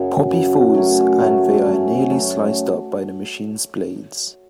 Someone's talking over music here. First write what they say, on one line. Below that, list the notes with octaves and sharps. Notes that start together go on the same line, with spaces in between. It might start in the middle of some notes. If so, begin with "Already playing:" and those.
Poppy falls and they are nearly sliced up by the machine's blades.
Already playing: F#2 C#3 F#3
F#2 C#3 F#3
F#3 A3 C#4
F#3 A3 C#4
F#3 A3 C#4
F#3 A3 C#4